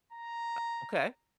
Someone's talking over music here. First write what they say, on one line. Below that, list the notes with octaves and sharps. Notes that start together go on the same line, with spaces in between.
Uh, okay.
A#5